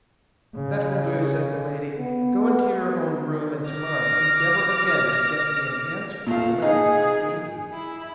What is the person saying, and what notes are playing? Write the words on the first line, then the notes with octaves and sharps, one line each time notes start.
"That will do," said Milady; "go into your own room, and tomorrow endeavor again to get me an answer to the letter I gave you."
C#3
B3
D6 F6 A#6
A#2 A3 F5
D#4 G#4
E4